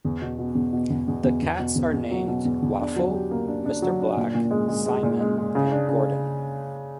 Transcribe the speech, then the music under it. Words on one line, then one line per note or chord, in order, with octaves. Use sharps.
The cats are named Waffle, Mr. Black, Simon, and Gordon.
E2
B2
B2
E2
B2
E2
E2
E2
E2
B2
E2
E2
F#3
B2
E2
E2
D4
F#3
G4
A#3
D4
D4
F#3
D4
A#2
A#2
G#3
G#3
G#3
A#2
G#3
G#3
C#3
D4
C#3